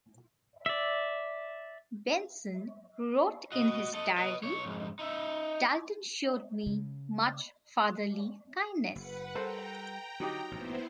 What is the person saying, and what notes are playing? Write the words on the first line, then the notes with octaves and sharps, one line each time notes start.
Benson wrote in his diary "Dalton showed me much fatherly kindness".
D5 E5
F#4 D#5
A4 D#5
B4 D#5
B1 C#5
F2 G#2
D#4 E5
C#3
F#1 B4 F#5
G3 A4 A#4 C5 G5 A#5
D3 F#3 D#4 G4
A1 G2 A#2 B3 E4 C5